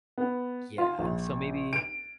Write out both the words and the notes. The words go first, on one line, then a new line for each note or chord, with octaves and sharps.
Yeah, so maybe
B3
F4
A#1
D7